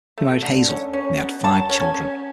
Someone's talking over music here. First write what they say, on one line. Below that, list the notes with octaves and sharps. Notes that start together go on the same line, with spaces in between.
He married Hazel and they had five children.
A3
D3
C#4
C#4
B2
F#3 A5
C#4
G#5
C#4